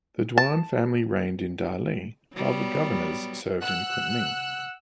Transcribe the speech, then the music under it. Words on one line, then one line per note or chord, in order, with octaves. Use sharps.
The Duan family reigned in Dali while the Governors served in Kunming.
A5
F#3 G3 B3
F#5 E6 F#6